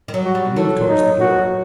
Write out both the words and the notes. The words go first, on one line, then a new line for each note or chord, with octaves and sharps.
He moved towards the door.
D#3
F#3
F#4
G3
F#3 A4
D#4
F#4